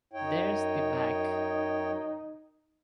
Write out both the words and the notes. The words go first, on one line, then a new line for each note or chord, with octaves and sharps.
There's the back!
F#2 D#4 C#5 G5